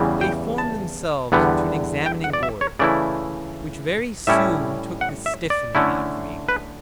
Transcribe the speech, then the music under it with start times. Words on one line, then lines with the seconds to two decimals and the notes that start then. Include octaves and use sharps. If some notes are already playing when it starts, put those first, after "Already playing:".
They formed themselves into an examining board, which very soon took the "stiffening" out of me.
Already playing: E2 C#3 E3 G3
0.21 G5
0.58 A5
1.32 E2 D3 G3 B3
2.06 G5
2.24 F#5
2.33 D5
2.43 E5
2.61 C#5
2.79 C#3 E3 A3 E4 D5
4.27 A2 G3 C#4 E4 E5
5.01 F#5
5.26 E5
5.50 D5
5.75 D3 A3 C#4 E4
6.49 B4